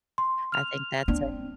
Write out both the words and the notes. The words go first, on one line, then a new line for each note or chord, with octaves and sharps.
I think that's a
C6
F6 F7
C4 D4